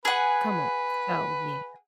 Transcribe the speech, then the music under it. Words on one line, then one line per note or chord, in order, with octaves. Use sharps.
come on, so, yeah.
G#4 B4 F#5